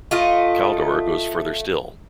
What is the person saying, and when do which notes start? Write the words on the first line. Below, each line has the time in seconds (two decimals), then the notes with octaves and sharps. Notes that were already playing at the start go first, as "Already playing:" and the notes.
Kaldor goes further still.
0.11 A3 F4 D#5